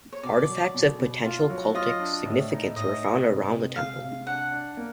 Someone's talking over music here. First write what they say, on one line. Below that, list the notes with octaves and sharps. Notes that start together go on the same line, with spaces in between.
Artifacts of potential cultic significance were found around the temple.
C#5
B2 D5
F#3
B2
B2
F4
F#3
F4 D#5
D4
A2
D#4
A2 D#5
D#4
C3
C3
G#3 F5
C3
D4 F#5
D4
A#3